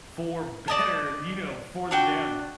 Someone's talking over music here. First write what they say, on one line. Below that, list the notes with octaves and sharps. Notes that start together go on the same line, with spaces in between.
for better, you know, for them.
D5 D#5 A5
D4 F#4 G5